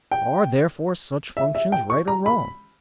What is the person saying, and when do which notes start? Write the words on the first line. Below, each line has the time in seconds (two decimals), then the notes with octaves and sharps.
Are, therefore, such functions right or wrong?
0.11 G5
1.37 E5
1.55 E5
1.72 G5
1.90 C#6
2.08 A#5
2.26 B5